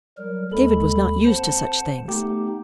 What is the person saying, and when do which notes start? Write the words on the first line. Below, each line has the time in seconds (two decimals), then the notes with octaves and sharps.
David was not used to such things.
0.18 F#3 G3 A#4
0.52 D#2 G#3 A4 B5
1.24 C4 C5 F#5 A5
2.08 A3 B3 D#4 G4